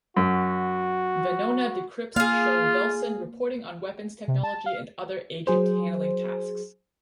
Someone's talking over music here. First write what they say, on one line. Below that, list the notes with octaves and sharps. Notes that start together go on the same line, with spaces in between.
Venona decrypts show Velson reporting on weapons technology and other agent handling tasks.
F#2 F#4
A#3 F4 G#4 F5
C3
A5
F5
F#3 G#4 C5